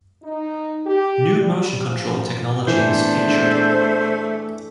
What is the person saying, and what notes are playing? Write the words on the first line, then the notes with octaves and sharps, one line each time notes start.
New motion-control technology is featured.
D#4
G4
G3
F3
E2 A#2 E3 A3 D4 C5